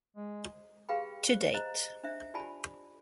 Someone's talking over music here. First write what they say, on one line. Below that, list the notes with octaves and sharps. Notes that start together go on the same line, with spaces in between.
To date.
G#3
G4 G#4 B4 F5 G5 B5
C5
C5 D#5 A#5
D4 C5 E5
F4 G4 D5 G#5 A5 B5